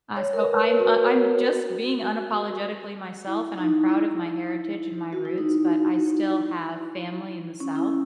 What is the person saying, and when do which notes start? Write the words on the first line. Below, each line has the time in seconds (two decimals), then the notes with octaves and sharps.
Uh, so I'm uh, I'm just being unapologetically myself, and I'm proud of my heritage and my roots, but I still have family in the South
0.17 C#5
0.33 A#4
0.38 B4
0.58 A#4
0.79 F#4
3.27 E4
3.58 D#4
3.88 E4
5.13 F#4
5.25 E4
5.38 D#4
5.52 E4
7.60 C#4
7.76 E4